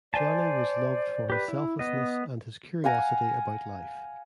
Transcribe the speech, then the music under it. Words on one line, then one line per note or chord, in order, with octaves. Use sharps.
Johnny was loved for his selflessness and his curiosity about life.
C5 D5 G#5 A5
G4 B4
E4
B3 D#5
F5 F#5 G#5 A#5